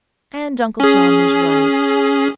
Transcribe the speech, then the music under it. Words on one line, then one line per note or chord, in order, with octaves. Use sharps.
And Uncle John was right.
C#4 G#4